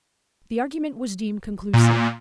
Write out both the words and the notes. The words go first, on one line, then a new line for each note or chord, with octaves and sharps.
The argument was deemed conclusive.
A#2